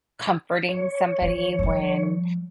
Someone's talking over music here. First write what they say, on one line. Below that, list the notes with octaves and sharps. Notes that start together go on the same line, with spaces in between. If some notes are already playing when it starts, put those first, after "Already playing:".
comforting somebody when
C#5
E3
F3 G3